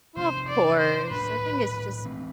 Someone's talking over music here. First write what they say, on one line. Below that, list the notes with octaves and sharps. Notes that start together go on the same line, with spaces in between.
Oh, of course. I think it's just
C3 F3 A3 D4 C5
D5
C5
A2 F3 A3 D4 B4
E3 A3 C4